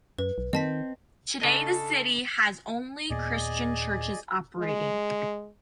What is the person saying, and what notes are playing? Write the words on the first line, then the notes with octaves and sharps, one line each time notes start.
Today the city has only Christian churches operating.
F#2 B4
B1
D#3 C4 D#5 A5 B6
C#3 D4 A4 D#5
D#2 A#2 B3 G#4 D5 D#5
G#3